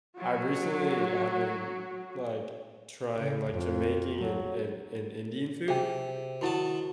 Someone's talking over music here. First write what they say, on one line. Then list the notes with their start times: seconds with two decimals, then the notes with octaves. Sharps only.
I recently have been, like, trying, like, Jamaican and and and Indian food,
0.18 F#3 F#4
3.18 C#3
3.51 F2
4.20 F#3
5.68 C3 G#4 G5
6.41 D#3 F#3 E4 F#4 A5